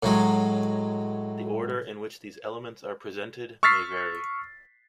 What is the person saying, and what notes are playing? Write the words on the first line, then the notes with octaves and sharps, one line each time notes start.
The order in which these elements are presented may vary.
A2 F#3 G#3
C#6 E6 F6 A6 B6 C7